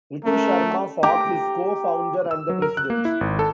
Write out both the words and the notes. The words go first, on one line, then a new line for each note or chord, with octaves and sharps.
Ritu Sharma Fox is co-founder and the president.
A3 C#4 A#4
G4 A#5
E6
F#3
A#4
F#6
A#3
E4
G#1
A4